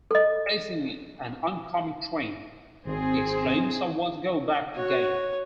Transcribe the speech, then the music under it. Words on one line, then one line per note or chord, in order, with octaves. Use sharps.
Facing an oncoming train, he exclaims I want to go back again!
A4 D#5
G#1 C4 G#4
F#4 C#5